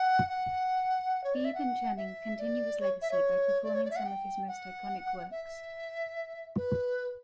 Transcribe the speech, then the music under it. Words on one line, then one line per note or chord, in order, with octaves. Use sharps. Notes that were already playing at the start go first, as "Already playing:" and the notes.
Bibbe and Channing continue his legacy by performing some of his most iconic works.
Already playing: F#5
F#5
C#5
D5
E5
F#5
E5
D5
C#5
E5
C#5
D5
C#5
D5
E5
F#5
G5
F#5
E5
B4